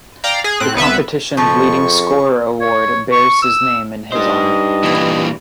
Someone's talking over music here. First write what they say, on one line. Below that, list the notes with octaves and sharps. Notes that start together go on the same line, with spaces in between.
The competition's leading scorer award bears his name in his honor.
D5 F5 G5 A#5
G#4
A2 C4 F#6
C2 B3 B4 E5
F2 C#3 F3 C#6
C#5
C#6
E6
G2 D#4 C5 D#5
A#2 E3